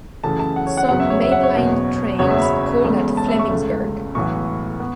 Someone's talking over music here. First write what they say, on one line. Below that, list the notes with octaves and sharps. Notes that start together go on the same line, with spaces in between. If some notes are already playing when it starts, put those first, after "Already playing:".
Some main line trains call at Flemingsberg.
F#2 C#3 E3 A3 A5
A5
F#5
C#5
F#5
F#1 E2 C#3 F#3 B3 F#5
E5
C#5
E5
F#5
C#5
F#1 E2 B2 B3
F#1 E2 C#3 F#3 B3 C#5
E5
B5
E1 E2 C#3 A3
A5
E5
C#6
C#2 C#3 A3
B1 A2 E3 B3 C#6
B3